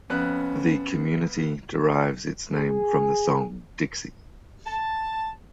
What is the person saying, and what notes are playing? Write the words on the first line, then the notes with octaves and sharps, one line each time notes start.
The community derives its name from the song "Dixie".
F2 B3 C#4 F#6
G#4
A5